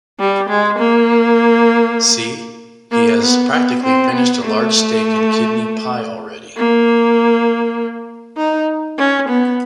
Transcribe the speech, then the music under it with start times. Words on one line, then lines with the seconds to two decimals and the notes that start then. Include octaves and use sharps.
See, he has practically finished a large steak-and-kidney pie already.
0.19 G3
0.49 G#3
0.79 A#3
2.91 A#3
3.22 B3
3.52 B3
3.83 C4
4.13 B3
4.43 A3
6.56 A#3
8.37 D#4
8.98 C#4
9.29 B3